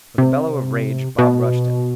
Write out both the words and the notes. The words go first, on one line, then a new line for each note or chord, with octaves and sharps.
With a bellow of rage, Bob rushed him.
C3
B2